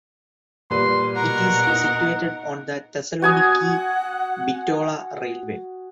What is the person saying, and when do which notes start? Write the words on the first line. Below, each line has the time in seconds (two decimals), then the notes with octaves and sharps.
It is situated on the Thessaloniki–Bitola railway.
0.70 A#2 G3 B4 C6
1.16 B2 A#4 F#5 A#5
1.67 D#4
3.22 F#4 F#5 G#5 D#6